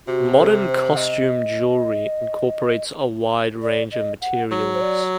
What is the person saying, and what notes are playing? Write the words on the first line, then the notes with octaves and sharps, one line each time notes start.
Modern costume jewelry incorporates a wide range of materials.
C3 F#4
A4
C5
F#5
D#5
D5
D#5
F#5
F#3
C5
D5